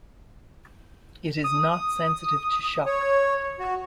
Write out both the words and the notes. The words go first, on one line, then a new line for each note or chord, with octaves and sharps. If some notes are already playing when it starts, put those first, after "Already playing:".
It is not sensitive to shock.
D#6
C#5
F#4